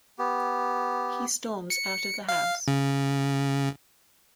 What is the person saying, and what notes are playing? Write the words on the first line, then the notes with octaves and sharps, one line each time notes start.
He storms out of the house.
B3 G4
C#7
F5
C#3